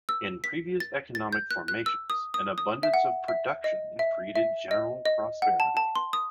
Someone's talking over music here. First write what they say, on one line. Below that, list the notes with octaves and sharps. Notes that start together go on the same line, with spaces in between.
In previous economic formations, an abundance of production created general prosperity.
E6
B6
A6
A6
G6
F#6
F#6
E6
D#6
D#6
D#6
E5
F#5
E5
D#5
E5
E5
D#5
D#5
F#5
A5
A5
C6
D#6